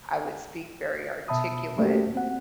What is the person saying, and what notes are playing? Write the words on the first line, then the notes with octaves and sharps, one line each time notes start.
I would speak very articulate,
B2 E5 A5 B5 D#6
A3 A#3 C#4 F#4 G4
C4 F#5